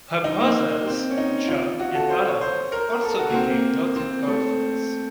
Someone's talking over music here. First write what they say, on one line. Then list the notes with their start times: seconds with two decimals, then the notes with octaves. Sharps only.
Her brothers John and Allan also became noted golfers.
0.24 D#4
0.40 A#3
0.86 C4
1.10 C#4
1.18 D#4
1.48 F4
1.79 F#4
1.95 A4
2.10 C5
2.25 C#5
2.41 C5
2.72 A#4
3.03 A4
3.18 F#4
3.30 A#3
3.34 C4
3.50 A#3
3.96 C4
4.27 A3